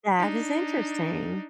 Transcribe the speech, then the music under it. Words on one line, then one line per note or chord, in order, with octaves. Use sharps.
That is interesting.
D4 D#4